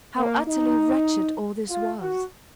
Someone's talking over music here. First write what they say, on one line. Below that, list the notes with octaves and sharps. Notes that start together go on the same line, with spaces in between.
How utterly wretched all this was.
A#3
D#4
F4
F#4